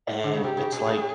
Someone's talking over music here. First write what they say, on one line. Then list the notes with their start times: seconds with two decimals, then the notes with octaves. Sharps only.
And it's like
0.24 D3
0.33 C#3
0.43 C3 G4
0.57 C#3
0.72 B2 G#4
0.87 A#2